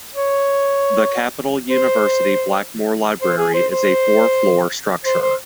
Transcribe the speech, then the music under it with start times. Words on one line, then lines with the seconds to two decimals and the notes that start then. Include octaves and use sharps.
The Capital University Blackmore Library is a four-floor structure.
0.15 C#5
1.71 C5
3.22 C5
3.38 G#4
3.54 C5
3.72 C5
5.05 C5
5.22 C5